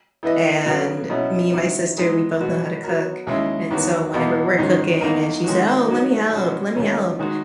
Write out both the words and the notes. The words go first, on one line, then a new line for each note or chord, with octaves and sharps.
And me and my sister, we both know how to cook, and so whenever we're cooking, and she said, "Oh, let me help, let me help."
E3 B3 E4 B4 D#5
C#3 F#3 B3
B2 F#3 C#4 E4
D#3 F#3 C#4 E4
E3 G#3 B3 D#4
B2 F#3 B3 F#4
F#3 B3 F#4 A#4
D#2 C#3 G#3 C#4 E4
E2 D#3 F#3 B3 F#4
E2 B2 A#3
G#2 D#3 F#3 C#4
E2 D#3 A#3 D#4 A#4
D#3 G#3 C#4 F#4
F#3 B3 D#4 F#4
B2 G#3 C#4 F#4
D#2 C#3 F#3 C#4
D#3 G#3 D#4 F#4